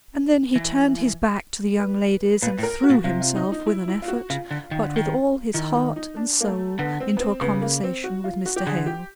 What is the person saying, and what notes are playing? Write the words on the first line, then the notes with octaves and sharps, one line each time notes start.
And then he turned his back to the young ladies, and threw himself, with an effort, but with all his heart and soul, into a conversation with Mr. Hale.
E3
B4
A#2 B4
A2
A#4
F#4
A#2
C3 F4
F4
D#4
D#4
E4
E4
F4
F#4
C#3 F4
D3
D#3
D3
D#3
D#3 E4
D#4
D#4
D4
A#3
A3
D3 B3
C4
B3
C4
C#3 B3
A#3
C4
F#4
F4
F#4
G4
D3 G#4
G4